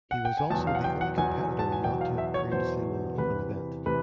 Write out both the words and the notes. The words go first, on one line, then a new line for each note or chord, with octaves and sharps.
He was also the only competitor not to have previously won an open event.
F#5
G5
G#5
E2 B2 F#3 A5
F5
F#5
G5
F#5
E2 B2 F#3 G#5
A5
G#5
E2 B2 F#3 G5
F5
E5
C#5
E2 B2 F#3 C5
E2 C3 E3 B4
C3 E3 B4